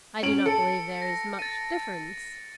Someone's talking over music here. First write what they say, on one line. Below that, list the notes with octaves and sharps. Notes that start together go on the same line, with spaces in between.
"I do not believe there is much difference."
C#4 D7 F#7
A4 C#7 D7
A#6
A6 D#7